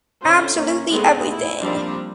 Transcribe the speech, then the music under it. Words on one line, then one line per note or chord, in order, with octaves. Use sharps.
Absolutely everything.
D3 C#4 F4 C5
A#3 C#4
G#3 A3 B3 C4 G#4 D#5
E4
F3 G3 A#3 C4 D4